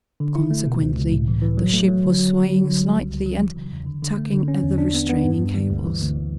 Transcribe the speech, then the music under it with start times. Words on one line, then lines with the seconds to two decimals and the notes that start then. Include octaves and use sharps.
Consequently the ship was swaying slightly, and tugging at the restraining cables.
0.20 D3
0.35 E4
0.51 A3
0.66 B2
0.82 C#2
0.97 C#2
1.12 A2
1.28 E3
1.42 E3
1.57 F#3
1.73 A3
1.88 F#3
2.04 D3
2.19 F#3
2.34 F#3
2.50 D3
2.65 D3
2.81 G3
2.96 C#2
3.11 C#2
3.26 F#3
3.40 E3
3.56 C#3
3.72 E2
3.86 D3
4.03 D3
4.17 A3
4.33 D3
4.48 C#4
4.63 E2
4.78 D4
4.94 B3
5.09 B3
5.24 G2
5.39 G2
5.54 G3
5.71 D2
5.85 E3
6.01 D2